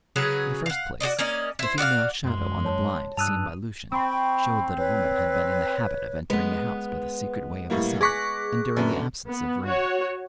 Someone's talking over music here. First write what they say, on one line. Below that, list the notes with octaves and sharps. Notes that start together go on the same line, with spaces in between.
In the first place, the female shadow on the blind seen by Lucian, showed that a woman had been in the habit of entering the house by the secret way of the cellar, and during the absence of Vrain.
C#3 F#3 G#4 B4
F5 F#5
F#4 G4 D5 D#5
A#3 C#4 D5 D#5
E4 C5
F#4 D5 E5 F5
F#2 G#3
C#5 A5
G2 A5 D#6 E6 F#6 D#7 F7
C4 G5 B5 C#6
B4 C#5
G#3 B3 B4
A2 G3 A#3
G#4 C#6 D6 F#6 A#6 B6
F#2 D3 B3
B3
F#4 C#5